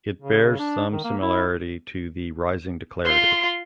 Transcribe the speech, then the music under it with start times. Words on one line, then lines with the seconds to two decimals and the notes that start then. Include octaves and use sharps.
It bears some similarity to the rising declarative.
0.22 C#3
0.59 D4
0.93 D#3
1.04 A#3
1.22 E4
3.05 F4 C6